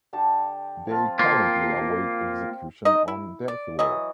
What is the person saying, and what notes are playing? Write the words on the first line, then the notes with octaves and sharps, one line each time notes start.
They currently await execution on death row.
D3 G4 A5
F3 C4 F4
A#3 F4 C5
D#4 D#5
E4
D5
E3 F#3 D#5